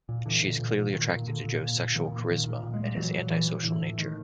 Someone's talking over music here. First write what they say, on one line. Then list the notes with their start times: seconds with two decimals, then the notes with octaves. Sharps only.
She is clearly attracted to Joe's sexual charisma and his anti-social nature.
0.09 A#2
0.26 A#2 D3 E3
0.44 A#2
0.60 A#2
0.77 A#2
0.94 A#2 D#3
1.11 A#2
1.27 A#2 D3
1.44 A#2
1.61 A#2
1.78 A#2
1.95 A#2 D#3 F3
2.12 A#2
2.29 A#2 D#3 F3
2.46 A#2
2.63 A#2
2.74 G#3
2.80 A#2 G3
2.96 A#2 E3 F#3
3.14 A#2
3.30 A#2 E3 F#3
3.47 A#2
3.60 F3
3.64 A2 D3 E3
3.81 A2
3.98 A2 D#3